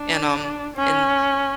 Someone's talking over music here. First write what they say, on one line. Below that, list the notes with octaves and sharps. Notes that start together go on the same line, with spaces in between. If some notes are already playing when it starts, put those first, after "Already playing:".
and, um, and,
Already playing: D4
C#4